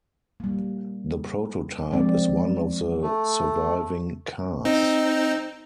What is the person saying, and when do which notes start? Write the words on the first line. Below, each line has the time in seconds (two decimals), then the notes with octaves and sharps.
The prototype is one of the surviving cars.
0.40 G3 A#3
1.92 F3 G#3 A3 C4 D5
3.01 A3
4.65 C4 D#4